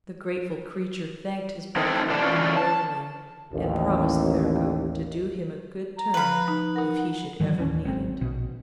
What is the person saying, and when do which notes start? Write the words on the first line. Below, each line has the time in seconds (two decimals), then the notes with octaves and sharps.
The grateful creature thanked his benefactor warmly, and promised Ferko to do him a good turn if he should ever need it.
1.76 C4 D#4 E4 A4
2.09 B2 E3 C4 E4 D5 A5
2.22 D3 E3 C#4 F4 D5
2.57 A5
3.52 A1 D#2
5.97 A#5
6.14 F3 B4 B5 F6
6.48 D#4
6.76 D#4 A#4 F#5
7.40 G#2 D#3 E3 F#3
7.58 D1 D#2 E3 C#4
7.85 G#1 F#3 C4
8.21 A#1 B2